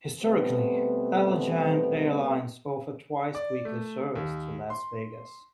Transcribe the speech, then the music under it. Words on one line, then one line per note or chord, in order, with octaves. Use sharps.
Historically, Allegiant Airlines offered twice weekly service to Las Vegas.
B2 G3 A3 B3 C4
D5
A3
D#2
C6